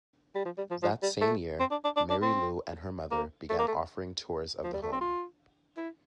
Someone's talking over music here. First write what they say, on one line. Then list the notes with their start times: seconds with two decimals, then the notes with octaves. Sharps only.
That same year, Mary Lou and her mother began offering tours of the home.
0.35 G3
0.45 F3
0.58 G3
0.71 F3
0.83 F3
1.03 G3
1.21 A3
1.60 C4
1.71 D4
1.84 D4
1.97 D4
2.10 D4
2.22 C4
3.11 A#3
3.49 A3
3.59 A#3
3.68 A3
4.64 F3
4.73 G3
4.82 A3
4.92 C4
5.01 F4
5.77 E4